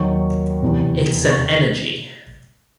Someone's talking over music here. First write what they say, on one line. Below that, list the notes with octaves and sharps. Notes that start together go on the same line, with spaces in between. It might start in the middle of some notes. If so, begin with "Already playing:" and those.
It’s an energy!
Already playing: D#2 D#3 F#3 C#6
E1 E2 C3
C#6